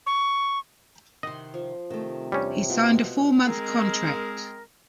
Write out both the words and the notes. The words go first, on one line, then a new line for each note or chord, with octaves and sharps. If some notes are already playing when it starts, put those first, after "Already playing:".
He signed a four-month contract.
C#6
C3 D#3 D#5 F#5 C6
F3
C3 D#3 A3
E2 G3 C#4 D4 C#5
B2 B3 F4
G#3 C4 G#4 A#4